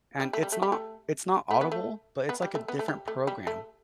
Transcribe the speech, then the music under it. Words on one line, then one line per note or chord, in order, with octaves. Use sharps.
And it's not it's not Audible, but it's, like, a different program,
G3
A3
G3
A3
G3
A3
A3
B3
A3
B3
G3
A3
B3
A3
G3
A3
G3
A3